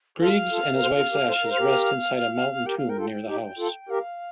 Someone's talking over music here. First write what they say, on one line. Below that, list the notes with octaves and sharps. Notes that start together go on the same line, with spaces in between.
Grieg's and his wife's ashes rest inside a mountain tomb near the house.
F4 A4 F5
F4 A4
A#4
A4 C5
F4 A4
G4 A#4
A4 C5
A#4
C5
G4 A#4
G4 A#4 G5
F5
A#4 G5
F4 A4
D#4 G4
F4 A4
G4 A#4 F5